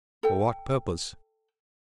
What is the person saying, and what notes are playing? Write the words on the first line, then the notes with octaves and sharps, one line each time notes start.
"For what purpose?"
A4 G5